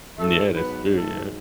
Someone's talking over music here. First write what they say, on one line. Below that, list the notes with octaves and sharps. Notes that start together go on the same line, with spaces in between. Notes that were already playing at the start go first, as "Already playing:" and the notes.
Yeah, that's true, yep.
G#2 F#3 A3 A4
B3 B4
A3 A4